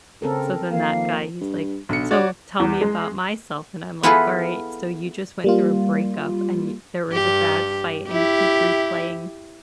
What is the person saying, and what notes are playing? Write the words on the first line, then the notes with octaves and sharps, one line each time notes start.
so then that guy, he's like, "So, tell me about myself," and I'm like, "Alright, so, you just went through a breakup and yo there was a bad fight, and you keep replaying
C#3 C4 A4 A#4
D#3 F3 A#3 F5
G2
B1 D3 C#7
F#4 C#5 D5
E2
G#3
B3 E4 F4 G#4 A4 B4
G3 A#3 F4
G2 G4
E4 G4